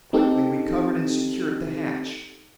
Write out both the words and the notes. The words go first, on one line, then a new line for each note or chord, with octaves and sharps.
Quickly we covered and secured the hatch.
C4 D#4 G4 A4